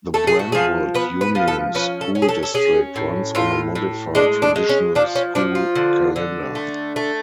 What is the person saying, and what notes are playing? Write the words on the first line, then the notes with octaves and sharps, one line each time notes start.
The Brentwood Union School District runs on a modified traditional school calendar.
A3 A4
G#4
F#4
F3 G#4
B3 B4
B4
F3
A4
C#4 B4
A4
C#4
G#4
A4
A4
C#4 G#4
A2
A2 F4
A2
G#3 D4
D4
G#3
C#4
F3 D4
C#4
F3 D4
F4
D3
D3
A3
A3